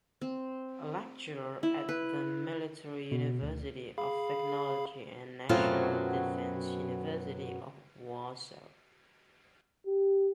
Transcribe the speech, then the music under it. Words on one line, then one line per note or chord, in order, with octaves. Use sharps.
A lecturer at the Military University of Technology and National Defence University of Warsaw.
C4
E4
B4
B2
D2
G#4 F5 B5
F#2 B2 F#3 A3 C4 F4
G4